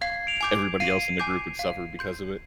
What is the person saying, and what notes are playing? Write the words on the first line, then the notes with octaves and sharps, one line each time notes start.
everybody else in the group would suffer because of it.
F5 G#6 C7
D7 F7
G#5 D6 G6
F5 C7 D#7
G#5 D6 G6
F5
C6 G6